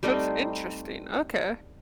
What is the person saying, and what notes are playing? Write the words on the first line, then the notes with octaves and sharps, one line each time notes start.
That's interesting, okay.
G3 A3 C4 D#4